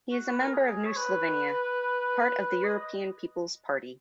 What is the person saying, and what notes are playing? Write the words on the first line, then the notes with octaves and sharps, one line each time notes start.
He is a member of New Slovenia, part of the European People's Party.
F#4
B4
A#4
G#4
C#5
B4
D#5